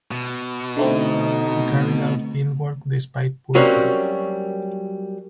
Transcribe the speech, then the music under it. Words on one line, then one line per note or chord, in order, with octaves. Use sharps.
He carried out field work despite poor health.
B2
D3 A3 C4 D#4
F#3 G3 A#3 C4 C#4 F#4